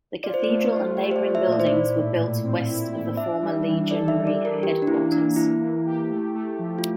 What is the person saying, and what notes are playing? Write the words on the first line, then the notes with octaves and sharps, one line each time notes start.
The cathedral and neighbouring buildings were built west of the former legionary headquarters.
F4 D5
C5
A3 D5
C5
F4
A3 G4
C5
D5
A3
E5
A#2
D5
C5
E4 D5
A2
A2
C4
E4
E4
D4 E5
G3
E3
A4 D5
E5
E3
D5
D4
A#4
E3 G4
D4
A#3 E4
A#3 D4
A#3 E4
E3
G4
A3
A3
F3
F4